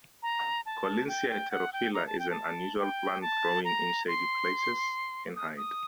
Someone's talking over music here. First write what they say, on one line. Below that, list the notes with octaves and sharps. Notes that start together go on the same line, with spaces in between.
"Collinsia heterophylla" is an annual plant growing in shady places, in height.
A#5
A5
G5
G5
F#5
G5
A#5
A5
G5
A5
G5
A5
A#5
C6
D#6
D#6